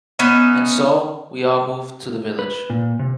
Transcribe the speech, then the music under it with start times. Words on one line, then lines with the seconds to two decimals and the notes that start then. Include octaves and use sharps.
And so we all moved to the village.
0.19 B3 C#4 D#4 E5
2.39 B4
2.70 A#2
2.99 C3